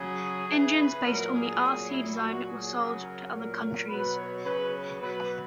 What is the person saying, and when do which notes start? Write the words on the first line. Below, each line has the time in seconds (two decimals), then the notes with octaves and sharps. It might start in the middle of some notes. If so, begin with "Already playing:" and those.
Engines based on the Rc design were sold to other countries.
Already playing: C#3 F#3 G#4
0.48 C#3 E3 G#4
0.76 B4
1.04 A#2 F#3 A#4
1.33 G#4
1.61 A#2 F#3
1.89 E4
2.17 A#2 F#3 F#4
2.46 G#4
2.74 C#3 F#3
3.03 A#4
3.31 A#2 F#3 A#4
3.87 B2 F#3 B4
4.16 C#5
4.44 C#3 F#3 B4
5.00 B2 F#3 B4